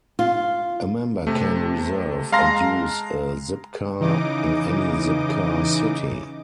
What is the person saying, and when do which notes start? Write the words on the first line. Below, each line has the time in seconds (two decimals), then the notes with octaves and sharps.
A member can reserve and use a Zipcar in any Zipcar city.
0.19 F4
1.27 C3 A3
2.32 G#3 F5 A5 A#5 C6 A#6
4.00 C#3 E3 D#4 D#5 D6